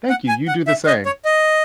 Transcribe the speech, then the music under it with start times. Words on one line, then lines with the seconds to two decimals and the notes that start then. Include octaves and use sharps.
Thank you. You do the same.
0.09 F#5
0.28 G#5
0.48 F#5
0.67 E5
0.87 D#5
1.05 C#5
1.25 D#5